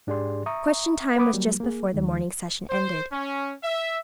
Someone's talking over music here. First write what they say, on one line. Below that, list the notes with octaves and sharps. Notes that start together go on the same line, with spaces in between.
"Question time" was just before the morning session ended.
G#2 D4 G4 G#4 D5 C6
E5 A#5 C#6 D#6
B4 F#5 B5 D6 D#6
F#3 G3 A#3
A#3 G#4
D#2 D#3 G#3
C5
C#4
E5